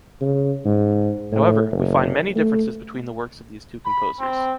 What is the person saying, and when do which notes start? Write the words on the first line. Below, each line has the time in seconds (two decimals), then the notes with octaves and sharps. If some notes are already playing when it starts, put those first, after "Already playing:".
However, we find many differences between the works of these two composers.
0.21 C#3
0.65 G#2
1.32 A2
1.71 F#1
2.36 A3
3.85 B5
4.20 C4